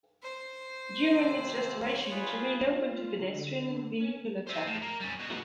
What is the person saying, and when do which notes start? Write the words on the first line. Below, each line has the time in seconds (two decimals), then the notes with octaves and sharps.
During its restoration it remained open to pedestrian and vehicular traffic.
0.23 C5
1.14 D#2 C3
1.83 C5 C#5
2.11 F4 G#4 B4
2.68 F4
3.20 D3
4.00 C#4
4.47 C5 E5
4.67 A2
4.82 A#3
5.00 G3 C#4
5.19 B2 F#4